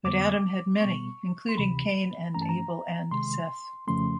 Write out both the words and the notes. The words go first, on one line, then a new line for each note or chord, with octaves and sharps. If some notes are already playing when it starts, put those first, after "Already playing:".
But Adam had many, including Cain and Abel and Seth.
F2 D3 G3 B3 D6
B2 G3 B3 C#6
C6
D2 C3 E3 B5
G2 E3 A3 C#4 A#5
A5
A#5
C3 D#3 G#3 C6
F2 C#3 F3 A3 C#4 C6